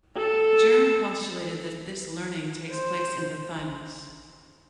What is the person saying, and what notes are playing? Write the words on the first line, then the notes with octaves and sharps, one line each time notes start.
Jerne postulated that this learning takes place in the thymus.
A4
C5